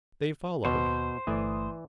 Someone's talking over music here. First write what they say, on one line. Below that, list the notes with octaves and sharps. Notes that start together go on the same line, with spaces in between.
They followed.
D#2 B2 C5
G1 E3 A3 D5 D#6